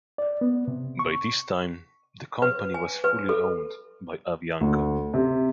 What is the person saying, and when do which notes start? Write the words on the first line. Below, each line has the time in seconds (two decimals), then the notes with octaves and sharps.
By this time, the company was fully owned by Avianca.
0.18 D5
0.41 B3
0.68 C3
0.99 C#6
2.42 B4
2.74 G#5
3.04 B4
3.29 A4
4.61 D2
5.14 C3